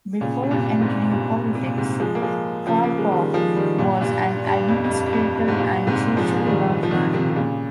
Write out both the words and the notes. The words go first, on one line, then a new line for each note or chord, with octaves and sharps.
Before entering politics, Karpoff was an administrator and social worker.
A#2 C#3
C3
G2 A#2
G#2 C3
G2 A#2
C3
A#2
G#2 C3
F3 G#3
A#3
F3 G#3
C#3 F3
A#3
G#3
D#3 G3
F3 G#3
D#3 G3
G2 A#2
G2 A#2
G2
F2
F2
G2
G2
F2
G2
G#2
G2 A#2
G#2 C3
F3 G#3
G#3
D#3 G3
F3
C3 D#3
C3 D#3
C3
A#2 C#3